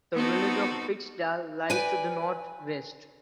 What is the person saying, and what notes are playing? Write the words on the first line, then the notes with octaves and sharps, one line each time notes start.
The village of Fiksdal lies to the northwest.
B3 C4 D#4 F#4 A4
B4 D5 G5 G#5